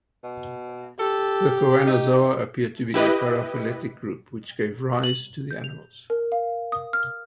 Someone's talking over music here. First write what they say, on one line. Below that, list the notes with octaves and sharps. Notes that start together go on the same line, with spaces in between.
The Choanozoa appear to be a paraphyletic group which gave rise to the animals.
B2
G4 A4
D#4
E4 G4 B4 D#5
F#7
G6
F7
A#4
F5
D#6
F6